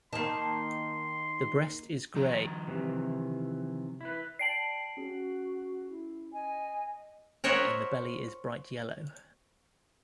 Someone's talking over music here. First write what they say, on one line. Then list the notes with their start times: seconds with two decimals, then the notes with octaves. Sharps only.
The breast is grey and the belly is bright yellow.
0.13 D#3 A#3 A5 C6
2.14 D#3 F3 A#5
2.67 C3 E3
4.01 E4 B4
4.39 D5 G5 A5 C7 D7 F#7
4.97 C#4 F#4 G#4
5.89 E4
6.33 D#5 G#5
7.44 A#4 C5 C#5 D#5 E5 F#5